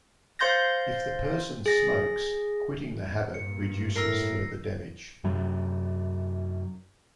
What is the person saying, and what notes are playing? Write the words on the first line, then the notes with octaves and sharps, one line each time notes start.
If the person smokes, quitting the habit reduces further damage.
C5 F5 C6 G6 A6 A#6
G#4 A#6
G2 A#2 C#7
A2 A#4 E6 A#6 C7
F#2 C3 F#3